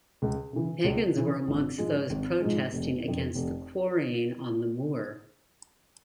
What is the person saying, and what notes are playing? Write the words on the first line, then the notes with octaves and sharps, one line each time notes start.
Pagans were amongst those protesting against the quarrying on the moor.
C#2
C#3 E3
C#2
C#3 E3
G#1
G#2 F3 G#3
G#1
G#2 F3 G#3
F1
F2 D3
F1